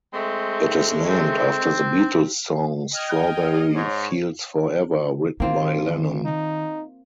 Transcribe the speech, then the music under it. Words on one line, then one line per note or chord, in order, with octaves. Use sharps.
It is named after the Beatles' song "Strawberry Fields Forever" written by Lennon.
G#3 A3 C4
C4
D#5 G5 D#6 F6 G#6
G#2 C#5
G#1 D#3 A#3 C4 F4
D#4